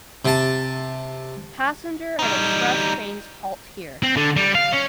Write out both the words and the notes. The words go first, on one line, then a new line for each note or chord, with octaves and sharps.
Passenger and Express trains halt here.
C3 A5
G3 D#4
C4
D3
G3
F5
C#4